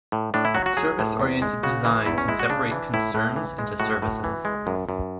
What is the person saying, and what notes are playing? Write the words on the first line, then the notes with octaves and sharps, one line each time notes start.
Service-oriented design can separate concerns into services.
A2
A2 D4
E4
F#3 F#4
F#4
F#3 G#4
A2
E2
G#3
C#3 F#4
E3
E2 E4
C#4
G#3 E4
F#4
C#3 D4
E3
A2 E4
A2
E3
G#3
A2 F#4
A2
E3
G#3
F#2
F#2